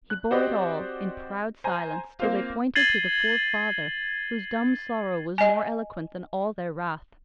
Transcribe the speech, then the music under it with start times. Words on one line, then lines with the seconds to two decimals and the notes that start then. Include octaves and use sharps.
He bore it all in proud silence till they pointed to the poor father, whose dumb sorrow was more eloquent than all their wrath.
0.10 F#6
0.31 C4 F#4 G4 C5 D5 D#5
1.64 C5 G#5 A#5
2.20 A#3 C4 F4
2.76 G#6 A6 C7 D#7 F#7 G7
5.38 D#5 G#5